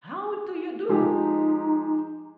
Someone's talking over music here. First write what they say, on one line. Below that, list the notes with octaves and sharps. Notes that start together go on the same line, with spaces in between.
"How do you do!"
F3 G#3 D#4 G4